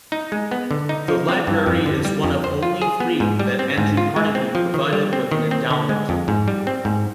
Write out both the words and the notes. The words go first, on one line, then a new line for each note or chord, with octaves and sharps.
The library is one of only three that Andrew Carnegie provided with an endowment.
D#4
G#3
B3
D3
D#4
F3
C4
G2
F2
D3
G3
F2
C5
F4
G#4
B3
G#2
G3
C4
G#2
F4
G#3
C4
F3
D#3
G3
C4
D#3
C4
D3
G#3
F2
G#2
G3
C4
G#2